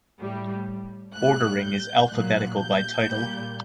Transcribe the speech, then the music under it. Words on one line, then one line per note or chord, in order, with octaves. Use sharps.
Ordering is alphabetical by title.
A2 G3
A2 G3 F#6
G6
A#2 F#3 F#6
G6
A#2 G3